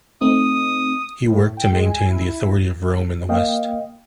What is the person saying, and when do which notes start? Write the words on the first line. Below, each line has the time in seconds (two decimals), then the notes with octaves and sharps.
He worked to maintain the authority of Rome in the West.
0.21 A3 C4 D#4 D#6
1.27 A2
1.57 G5
1.71 G#3
1.86 G#5
2.10 E4
2.28 E4
3.29 A#3 D#5 F5 G5